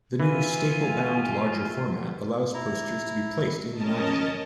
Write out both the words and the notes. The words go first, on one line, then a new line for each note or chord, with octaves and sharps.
The new staple bound larger format allows posters to be placed in the magazine.
E3 E4 F4 G#5
E4 A#5
C#4 A#4 D#5 A5